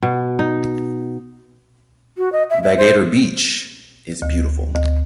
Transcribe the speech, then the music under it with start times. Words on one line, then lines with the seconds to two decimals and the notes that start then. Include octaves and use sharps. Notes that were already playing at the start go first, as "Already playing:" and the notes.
Vagator beach is beautiful.
0.02 B2
0.39 D#4
2.18 F#4
2.32 D#5
2.50 E5
2.63 E5
2.78 C5
4.22 D2
4.75 D2